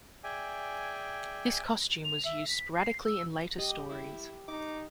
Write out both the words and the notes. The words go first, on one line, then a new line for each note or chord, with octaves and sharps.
This costume was used sporadically in later stories.
G#4 D5 E5 G5 G#5
F7
E5
B6
C7
E6
G4 D#5
E4
D#4 D6